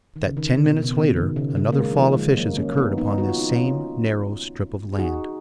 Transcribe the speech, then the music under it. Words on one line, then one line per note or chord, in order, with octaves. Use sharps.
That ten minutes later another fall of fishes occurred upon this same narrow strip of land.
D#3
C#3
D#3
C#3
B2
B2
C#3
D#3
C#3
C#3
A#3
G#3
D#3
F3
G#3
F#3 A#3
A#3 C#4
B3 D#4
B3 D#4
F#4
F4
D#4
C#4 F4
G#4
D#4 F#4